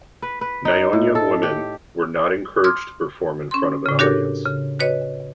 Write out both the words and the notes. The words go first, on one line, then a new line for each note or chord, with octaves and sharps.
Nyonya women were not encouraged to perform in front of an audience.
B4
B4
D#4
A2
A4
G4
C6 D6 D#6 F6 G#6
C#4 C6
A2 C#3
D4 F#4 G4 A4 A#4 C#5
C#3
F#4 B4 C#5 D#5